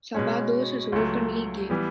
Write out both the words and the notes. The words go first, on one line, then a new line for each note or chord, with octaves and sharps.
Sabados is openly gay.
B2 G#3 C#4
C#2 C#3 F#3 A3
E3 G3 B3